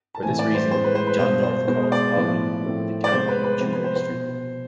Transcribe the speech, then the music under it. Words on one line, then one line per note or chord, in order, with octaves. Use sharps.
For this reason, John North calls Holbein "the cameraman of Tudor history".
A5
A2 E3 A3 C4 G#5
D5
C5
A2 G#3 C4 C5
B4
C5
B4
B2 B3 C5
C5
B2 G#3 B3 C5
D5
A2 F3 B3
A2 F3 A3 C4
D5
C3 G#3 B3 C5
B4
B4
C3 F3 B3 C5
B4
C5
C5
B2 B3